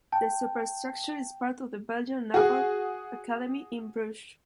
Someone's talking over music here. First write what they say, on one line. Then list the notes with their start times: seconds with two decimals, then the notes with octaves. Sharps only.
The superstructure is part of the Belgian Naval Academy in Brugge.
0.12 G5 A5
2.34 F#4 G#4